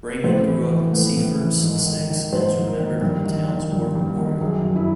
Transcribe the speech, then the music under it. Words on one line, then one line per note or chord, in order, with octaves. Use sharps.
Raymond grew up in Seaford, Sussex, and is remembered on the town's war memorial.
A2 C5
E3
E3
A2 B4
A2
E3
G#2
D#3
D#3
G#2 C5
G#2
A#4
D#3
G2
D#3
D#3
G2
G2
D#3
F#2 G#4
F#2
E4